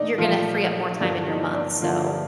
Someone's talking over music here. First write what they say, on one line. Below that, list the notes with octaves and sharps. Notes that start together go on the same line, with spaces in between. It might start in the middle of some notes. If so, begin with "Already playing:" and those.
you're gonna free up more time in your month, so,
Already playing: A#2 A3 D4 D#4 D5 D#5
A#2 F3 A3 F4
G2 D3 F3 A#3 D4
D#4
D4 D5
G2 D3 F3 A#3 F4 F5